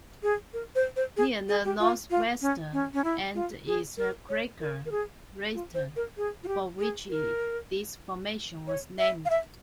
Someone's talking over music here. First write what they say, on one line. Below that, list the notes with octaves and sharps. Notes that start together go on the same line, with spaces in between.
Near the northwestern end is the crater Rheita, for which this formation was named.
G#4
A#4
C5
C5
G#4
G#4
G4
F4
F4
C#4
C#4
C#4
E4
F4
G#4
A#4
C#5
A#4
A#4
G#4
F4
C5
A#4
G#4
F4
G4
G#4
A#4
C#5
E5
F5
E5